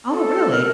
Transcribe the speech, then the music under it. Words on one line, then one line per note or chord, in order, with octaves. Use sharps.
Oh, really?
A4
A#4